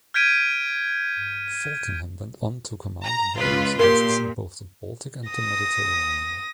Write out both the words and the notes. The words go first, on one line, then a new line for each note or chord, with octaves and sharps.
Falkingham went on to command various vessels in both the Baltic and the Mediterranean.
F6 G6 G#6 B6 D7 D#7
A#5
C#2 F4 B4
A#2 G4 A#4 C6
D#6 A#6